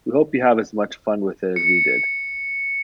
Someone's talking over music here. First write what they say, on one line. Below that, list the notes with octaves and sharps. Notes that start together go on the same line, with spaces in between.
We hope you have as much fun with it as we did.
C#7